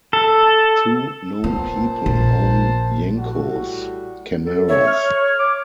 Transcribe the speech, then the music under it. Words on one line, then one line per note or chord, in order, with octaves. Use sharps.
Two known people own Yenko's Camaros.
A4
A#2 B3 C5 A5
A#1
A2 G3 F#4
A4
C#5 E5
F6
D6